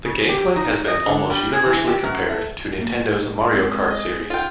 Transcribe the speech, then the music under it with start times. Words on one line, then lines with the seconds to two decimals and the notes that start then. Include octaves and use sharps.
The gameplay has been almost universally compared to Nintendo's "Mario Kart" series.
0.05 C#3
0.29 G4
0.56 D#4
0.88 D#5
1.06 D3
1.30 G3
1.53 G#4
1.66 E3
1.88 G4
2.04 F#2
2.30 A3
2.77 A2 G3 A#3
3.53 G#3 C4
3.90 G#4 D#5
4.30 F4 G5